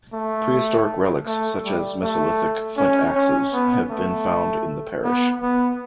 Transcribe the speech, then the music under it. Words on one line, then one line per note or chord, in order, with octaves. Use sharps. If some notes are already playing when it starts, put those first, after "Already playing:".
Prehistoric relics, such as Mesolithic flint axes, have been found in the parish.
A3
A3
G3
A3
C#4
C#4
B3
A3
B3
B3